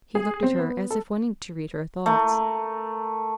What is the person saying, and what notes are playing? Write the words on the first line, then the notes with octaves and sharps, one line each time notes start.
He looked at her, as if wanting to read her thoughts.
G#4
C4
B3
A4
A3 A#4